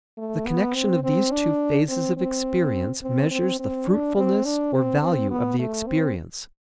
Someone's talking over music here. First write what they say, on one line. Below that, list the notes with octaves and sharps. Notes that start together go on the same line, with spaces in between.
The connection of these two phases of experience measures the fruitfulness or value of the experience.
A3
B3
C4
C4
D4
C4
C4
C4
C4
C4
D4
C4
D4
C4
C4
B3
A3
C4